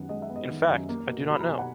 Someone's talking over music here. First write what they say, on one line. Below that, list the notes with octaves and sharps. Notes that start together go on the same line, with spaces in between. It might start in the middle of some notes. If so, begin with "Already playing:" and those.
In fact ,I do not know.
Already playing: F#2 D#3 B3 F#5
G#3 D#5
E5
B3
D#5
D#3
F#2
A#3
B2
F#3 B5
A#5
B2 G#5
F#5